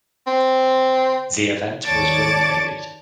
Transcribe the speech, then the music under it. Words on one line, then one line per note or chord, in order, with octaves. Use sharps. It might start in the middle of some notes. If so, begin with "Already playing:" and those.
The event was wind aided.
C4
D#2 C#5 D5 A5 D6 A6